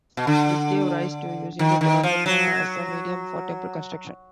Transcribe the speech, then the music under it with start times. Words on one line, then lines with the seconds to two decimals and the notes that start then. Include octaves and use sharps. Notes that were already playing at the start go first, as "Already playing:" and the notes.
This gave rise to using terracotta as a medium for temple construction.
0.17 B2
0.27 D3
1.59 D#3
1.81 D#3
2.03 F3
2.26 F#3